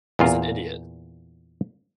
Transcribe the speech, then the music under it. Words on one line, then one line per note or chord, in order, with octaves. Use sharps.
he's an idiot.
E2 A#2 F4